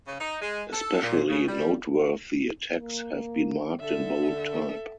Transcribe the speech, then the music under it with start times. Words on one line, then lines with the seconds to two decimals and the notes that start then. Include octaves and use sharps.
Especially noteworthy attacks have been marked in bold type.
0.07 C#3
0.20 D#4
0.42 G#3
0.72 A4
1.03 A#2
1.30 C#3
1.48 G3
2.79 A#3
3.81 D3 A4 E5